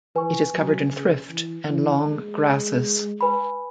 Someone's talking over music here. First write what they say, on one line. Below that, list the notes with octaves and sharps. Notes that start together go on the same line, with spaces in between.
It is covered in thrift and long grasses.
E3 B4 G#5 C#6
F#3
C#3
E3
E3
G#3
B4 G#5 B5